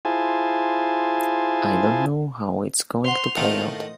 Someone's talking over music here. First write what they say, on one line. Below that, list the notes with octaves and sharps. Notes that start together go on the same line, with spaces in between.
I don't know how it's going to play out.
E4 F4 G#4 C5 G#5 A5
C5 F#5 C6 F7
A2 D#3 A3 F4 D#5